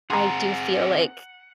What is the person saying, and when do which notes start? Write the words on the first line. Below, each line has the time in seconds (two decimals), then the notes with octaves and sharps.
I do feel like,
0.10 C4 G#4 F#5 A#5 C6